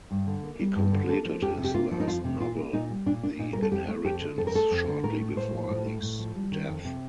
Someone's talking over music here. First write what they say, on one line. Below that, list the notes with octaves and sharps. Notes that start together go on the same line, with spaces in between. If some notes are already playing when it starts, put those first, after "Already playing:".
He completed his last novel, "The Inheritance", shortly before his death.
G2
D3
A#3
G3
G2
D3
A#3 A4
F3
F2 G4
C3
G4
A#3 F4
F3
D#4
F2 F4
C3
A#2 F4
A#3
A#2 D#4
G3
A#2 D4
A#3 D4
A#2 D#4
G3 A#4
A4
F2 G4
A3
F2 G4
D3
F2 A4
A#4
A3 A4
F2
D3
A2 A#4
A3
A2 C5
F3
A2
A3
A2
F3
G3
D#3
F2
C3